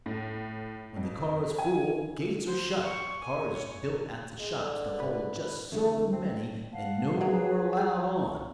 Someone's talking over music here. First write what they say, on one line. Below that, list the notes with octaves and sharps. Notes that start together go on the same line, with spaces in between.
When the car's full, gates are shut; cars built at the shops to hold just so many, and no more allowed on.
A2
F2
G#5
C5
C#6
G#5
C#5
G#3
D3
B4
F2 D3 E3 A3
C4
F5 F#5 A5
A#3 G#4 B4 F#5 A#5
F#4 G#4
C#6